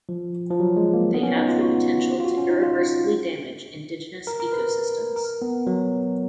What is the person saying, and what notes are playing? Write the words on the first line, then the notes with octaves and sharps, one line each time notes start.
They have the potential to irreversibly damage indigenous ecosystems.
F3
F3
F#3
G#3
A#3
B3
C#4
D#4
F4
F#4
F4
F#4
C#4
D#4
F4
A#4
A#4
B4
A#4
B3
F#3